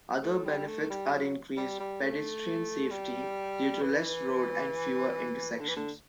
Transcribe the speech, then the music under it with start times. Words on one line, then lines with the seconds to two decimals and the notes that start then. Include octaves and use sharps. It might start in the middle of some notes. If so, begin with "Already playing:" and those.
Other benefits are increased pedestrian safety due to less road and fewer intersections.
0.22 A3
0.45 G3
0.67 A3
0.90 G3
1.13 F#3
1.57 G3
1.80 G3
2.02 A3
2.91 G3
3.81 E3
5.60 D3
5.68 E3
5.76 D3